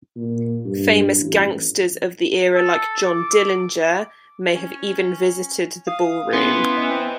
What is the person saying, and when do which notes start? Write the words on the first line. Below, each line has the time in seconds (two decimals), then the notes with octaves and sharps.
Famous gangsters of the era like John Dillenger may have even visited the ballroom.
0.16 A#2
0.65 G2
1.17 A1
2.55 A4
3.05 D6
4.54 C#4
5.87 F5 D#6
6.33 E3 B3 C#4 C6
6.77 D#5
6.90 C4